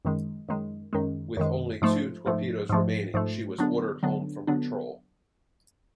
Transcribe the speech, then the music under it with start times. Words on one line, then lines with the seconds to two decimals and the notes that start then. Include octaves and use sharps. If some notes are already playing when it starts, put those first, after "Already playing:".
With only two torpedoes remaining, she was ordered home from patrol.
0.05 F#2 D#3 G#3
0.48 F#2 D#3 G#3
0.93 F#2 D#3 G#3
1.37 F#2 D#3 G#3
1.82 G#2 F3 A3
2.26 G#2 F3 A3
2.69 G#2 F3 A3
3.14 G#2 F3 A3
3.58 D3 F#3 B3 D4
4.03 D3 F#3 B3 D4
4.47 D3 F#3 B3 D4